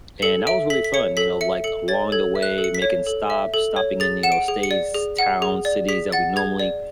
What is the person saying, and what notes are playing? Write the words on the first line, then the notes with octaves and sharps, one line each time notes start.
and that was really fun, you know, like, along the way making stops, stopping in, you know, states, towns, cities that we normally
A4 C#7
E5 D7
A4 B6
B6
C#5 C#7
A4 B6
E5 C#7
A4 C#7
C#5 A6
A4 G#6
E5
F#6
A4
C#7
B6
C#5
A4
E5
A4
C#5
G#4 A6
F#5 E7
D7
G#4
C#7
D5
G#4
F#5
G#4
D5
G#4 B6
F#5 A6
G#4 G#6
D5